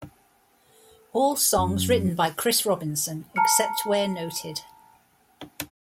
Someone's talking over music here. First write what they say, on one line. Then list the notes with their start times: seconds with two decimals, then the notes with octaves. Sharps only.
All songs written by Chris Robinson, except where noted.
1.58 F#2
3.36 A5 A#5 F6 C#7